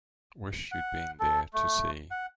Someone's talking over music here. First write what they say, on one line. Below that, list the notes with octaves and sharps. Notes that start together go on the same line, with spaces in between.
Wish you'd been there to see.
F#5
A4
A3
F#5